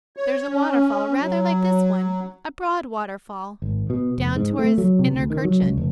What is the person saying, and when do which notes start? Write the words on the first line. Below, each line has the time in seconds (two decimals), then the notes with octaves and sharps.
There's a waterfall rather like this one--a broad waterfall down towards Innertkirchen.
0.17 C#5
0.48 C#4
1.20 F#3
3.62 G#1
3.90 B2
4.18 F1
4.36 G#2
4.59 A3
4.78 F#3
4.99 C3
5.15 D2
5.30 D#3
5.45 F#3
5.62 C#2
5.78 F1